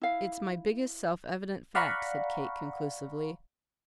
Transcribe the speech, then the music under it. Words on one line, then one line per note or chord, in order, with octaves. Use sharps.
"It's my biggest self-evident fact," said Kate, conclusively.
E4 F5
D5 F5 F#5 A#5 B5 C#6